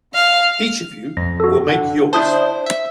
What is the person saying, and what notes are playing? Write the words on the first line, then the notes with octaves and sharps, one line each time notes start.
Each of you will make yours.
F5
F2 A#6
F#4 A4
D3 F#5
D4 E4 C5 A5 D#6 G6
E5